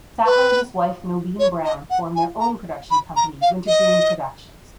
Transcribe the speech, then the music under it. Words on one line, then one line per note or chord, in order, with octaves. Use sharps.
Sattler and his wife Noeline Brown formed their own production company Wintergreen Productions.
B4
C#5
D#5
F#5
G#5
A#5
B5
A#5
F5
D#5